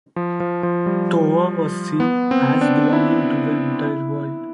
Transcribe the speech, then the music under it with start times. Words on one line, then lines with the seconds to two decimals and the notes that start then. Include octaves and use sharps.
Tova was seen as belonging to the entire world.
0.16 F3
0.40 F3
0.63 F3
0.86 G3
2.00 B3
2.31 C4
2.61 D4
2.93 E4
3.83 E4